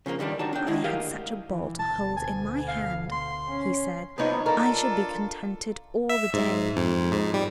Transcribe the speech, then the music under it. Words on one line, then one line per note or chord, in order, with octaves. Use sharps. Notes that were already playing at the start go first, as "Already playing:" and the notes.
"If I had such a ball to hold in my hand," he said, "I should be contented all the day."
C#3 F3 G#3 A#3
D3 D#3 G3 D4
D4 D#4 F#4 G4 C#5 A5
D4 G5
D#3 G#3 E4 G#4
D2 G4 A#4 D#5 F5
E3
D2 B2 A5
G#5
F5
C6
C#4
G2 F3 B3 D#4 E4 C#5
D4 F4 A4 A#4
E5
G#2
F2
G#2
G3